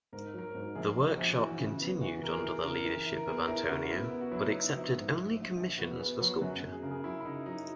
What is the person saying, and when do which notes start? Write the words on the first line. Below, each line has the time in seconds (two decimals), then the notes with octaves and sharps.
The workshop continued under the leadership of Antonio but accepted only commissions for sculpture.
0.13 G#2 A#4
0.34 F#3 A#4
0.55 G#2
0.75 A#1 G#4
0.96 A#1
1.07 F#4
1.17 A#1
1.38 E3 F#4
1.59 C#3
1.80 B3
2.01 E3 F#4
2.22 B3 A#4
2.33 G#4
2.44 E4
2.64 C#3 A#4
2.85 E3
3.06 E4
3.17 A#4
3.27 B3 G#4
3.48 E4 A#4
3.69 C#3 F#4
3.90 B3 E4
4.11 B3
4.21 F#4
4.32 F#3 E4
4.42 D#4
4.52 B3 E4
4.73 A#1
4.95 G#2
5.16 F#3
5.37 A#1
5.57 A#1
5.78 B3 F#4
5.99 B3 G#4
6.20 F#3 F#4
6.41 F#2 F#4
6.62 F#2
6.73 G#4
6.82 C#3 A#4
6.91 G#4
7.04 F#3 E4
7.21 E4
7.25 C#3 D#4
7.46 F#3 D#4